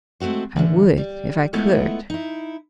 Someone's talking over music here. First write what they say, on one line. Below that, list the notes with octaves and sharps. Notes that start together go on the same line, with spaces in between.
"I would if I could!"
G#3 A3 C4 F#4 C5
A2 D3 E3
G3
G#3 A3 B3 E4 F4 A4
D#4 E4